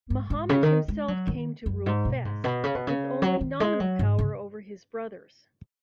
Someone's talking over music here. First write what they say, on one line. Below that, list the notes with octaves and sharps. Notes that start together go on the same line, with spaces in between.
Muhammad himself came to rule Fes, with only nominal power over his brothers.
G#2
G#2
C#3
D#3
G#3
F#3
D#3
F#2
G#2
B2
G#2
B2
C#3
B2
C#3
F#3
D#3
G#3
F#3
G#2
C#3